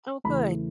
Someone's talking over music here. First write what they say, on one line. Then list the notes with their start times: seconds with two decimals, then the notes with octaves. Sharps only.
Oh, good.
0.24 E2 C#3 E3 A3 B5